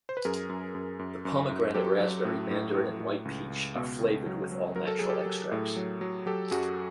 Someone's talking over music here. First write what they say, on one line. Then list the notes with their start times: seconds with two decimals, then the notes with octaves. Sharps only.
The Pomegranate Raspberry, Mandarin, and White Peach are flavored with all natural extracts.
0.09 C5
0.17 B4
0.25 F#2 G#4 A#4
0.49 F#2
0.75 F#2
0.99 F#2
1.25 F#2
1.49 F#2
1.74 F#3 G4 A4
2.00 F#3
2.25 A2
2.51 A2
2.75 A2
3.00 A2
3.25 C#2
3.50 C#2
3.76 B2
4.01 C#2
4.26 F#3
4.51 F#3
4.76 F#3 A#4
4.87 A4
4.99 F#3 G#4
5.09 G4 A4
5.26 F#3
5.52 A2
5.76 F#3
6.01 F#3
6.26 F#3 G4 A4
6.51 F#2 F#4 G#4